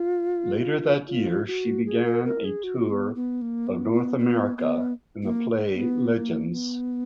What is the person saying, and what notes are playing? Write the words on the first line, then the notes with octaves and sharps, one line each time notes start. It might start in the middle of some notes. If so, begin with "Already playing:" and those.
Later that year, she began a tour of North America in the play Legends!
Already playing: F4
F4
F#4
G#4
A#4
A#4
G#4
F#4
B3
B3
A#3
B3
B3
B3
B3
A#3
B3
A#3
B3